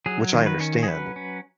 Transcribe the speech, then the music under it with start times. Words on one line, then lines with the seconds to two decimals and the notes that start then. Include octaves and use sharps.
which I understand.
0.06 F#3 G#4
0.33 D#3
0.46 B4
0.60 C#4
0.83 G#4
0.88 F#3 B4
1.16 C#4